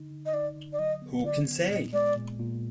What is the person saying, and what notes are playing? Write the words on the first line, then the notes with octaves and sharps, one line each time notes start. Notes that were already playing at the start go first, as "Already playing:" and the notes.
Who can say?
Already playing: D3 D#4
D3
D#5
D#4 D5
D3
D5
F#3 D#5
B3
D3 D5
B3
A#2 D#5
G#3 D5
A#2
A#2